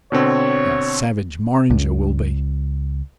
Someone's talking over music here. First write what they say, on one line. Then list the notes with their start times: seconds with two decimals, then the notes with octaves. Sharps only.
How savage Morringer will be!
0.12 B2 D3 C4 C#5
1.70 C#2